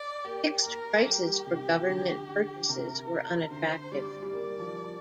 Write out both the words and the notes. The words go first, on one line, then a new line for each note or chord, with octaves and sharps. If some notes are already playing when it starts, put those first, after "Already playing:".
Fixed prices for government purchases were unattractive.
Already playing: D5
A#3 G4
A#3 A#4
G3 G4
G3
C3
F3
D3
D3
C3 A#4
D3 C5
G3 D5
G3
A#3 D5
F3